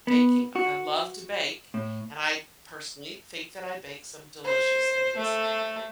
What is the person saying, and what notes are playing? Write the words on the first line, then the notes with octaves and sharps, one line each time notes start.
baking. Like, I love to bake, and I, personally, think that I bake some delicious things,
B3
F#4
A2
C5
A3